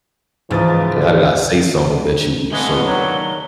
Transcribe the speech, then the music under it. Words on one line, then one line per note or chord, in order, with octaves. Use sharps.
and now that I say something that you so
C#2 G#2 E3 F3 D#5 A6
D2
D3 G#3 A3 B3 C4 G7
D#2 F#3